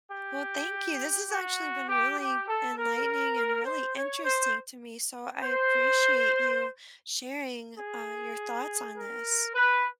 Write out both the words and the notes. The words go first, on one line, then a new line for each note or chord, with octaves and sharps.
Well, thank you. This has actually been really enlightening and really interesting to me, so I appreciate you sharing, uh, your thoughts on this.
G4
F#4
G4
G4
A4
A#4
C5
C#5
C5
C5
G#4
A#4
B4